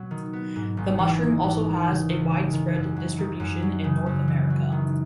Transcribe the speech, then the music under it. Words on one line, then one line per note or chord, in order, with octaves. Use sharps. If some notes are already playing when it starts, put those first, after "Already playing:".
The mushroom also has a widespread distribution in North America.
Already playing: B2 F#3 B3
D#3
B3
G#2
G#1
E3
D#3
G#2
G#3
C#3
C#2
G#3
D#3
F#2
F#3
D#3
F#2
F#3
C#3
F#2
E3
F#3
D#3